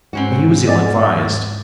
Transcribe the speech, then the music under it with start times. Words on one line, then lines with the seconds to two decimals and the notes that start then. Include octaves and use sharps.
But he was ill-advised.
0.13 G#2 C4 C#4 F#4
0.68 D5 D#5 F#5 G#5 D6 A6